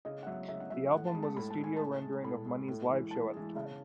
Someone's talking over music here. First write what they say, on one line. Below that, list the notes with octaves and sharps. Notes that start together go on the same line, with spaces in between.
The album was a studio rendering of Money's live show at the time.
C#3 D#5
F#5
F#3 E5
C#3 E5
F#5
F#3 E5
A2 F#5
A5
G#3
A5
A2 B5
A5
G#3
G#5
A2 A5
G#3
A2 B5
G#3
A2
E3 G#3
A2 A5
E3 G#3
C#3